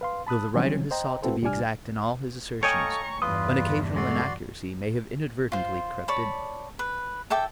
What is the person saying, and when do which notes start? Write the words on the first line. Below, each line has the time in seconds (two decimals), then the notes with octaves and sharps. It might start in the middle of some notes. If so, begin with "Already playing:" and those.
Though the writer has sought to be exact in all his assertions, an occasional inaccuracy may have inadvertently crept in.
0.01 B4 F5 C6
0.27 A5 B5 D#6 F#6
0.54 D#3 E3 F#3 G3 C4 C#4
0.91 C5 D#5 G5 A#5
1.22 C4 E4 F#4 A4 B4 C5
1.42 C2 G3 D4 D5 G#5 F6
2.63 A4 C#5 D#5 F5 G5 G#5 A#5 C#6
3.22 E2 G2 F4 B4 C6 D#6
3.96 G#3 A3 F#4 D5 C6
5.52 F4 C5
6.08 C#5 D5 A5 B5
6.79 B4
7.30 A4 E5 G5 D6